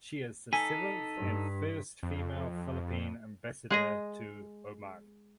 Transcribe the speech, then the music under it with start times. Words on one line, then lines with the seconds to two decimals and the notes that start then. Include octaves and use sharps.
She is the seventh and first female Philippine Ambassador to Oman.
0.53 D#4 A4 G#5 B6
1.17 G2
2.03 F2
3.70 G#3 G#4 D#5